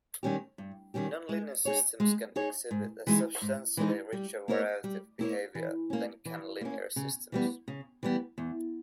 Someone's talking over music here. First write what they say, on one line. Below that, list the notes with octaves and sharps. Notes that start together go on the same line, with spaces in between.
Nonlinear systems can exhibit a substantially richer variety of behavior than can linear systems.
D#3 G3 C#4 G4
G2
D#3 G3 C#4 G4
G#3
D#4 G#4 C#5
G#3
D#4 G#4 C#5
G#2
E3 G#3 D#4
G#2
E3 G#3 D#4
G3
A#3 E4 A#4 C#5
G3
A#3 E4 A#4 C#5
E3
A#3 C#4
E3
A#3 C#4
C#3
E3 G3 B3
C#3
E3 G3 B3
E2